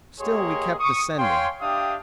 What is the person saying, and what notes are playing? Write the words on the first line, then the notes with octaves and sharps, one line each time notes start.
Still we kept descending.
A#3 G4 G#4 C#5 D#5 C6
C#6 D#6
C#5 F5 G5 G#5 C6
D4 G4 E5 F5 G5 D#6